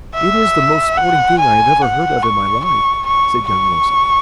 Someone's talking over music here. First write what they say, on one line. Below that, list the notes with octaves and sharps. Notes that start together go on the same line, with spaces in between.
"It is the most sporting thing I ever heard of in my life," said young Wilson.
E5
F#5
G#5
F#5
C#6
C#6
C#6
C#6